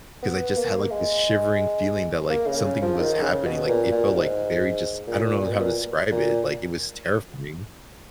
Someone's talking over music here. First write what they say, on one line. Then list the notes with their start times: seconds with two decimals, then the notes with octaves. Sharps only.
'cause I just had, like, this shivering feeling that, like, something was happening, like, it felt, like, very just I don't know how to describe it. Like, it was terrifying.
0.22 B3
0.57 A#3
0.91 G#3
2.30 A#3
2.47 C#3
2.65 C#3
2.82 F3
3.00 D#3
3.22 C#3
3.46 B2
3.69 A#2
3.92 A#2
4.15 G#2
5.07 A#2
5.42 A#2
5.51 B2
5.60 A#2
6.12 A#2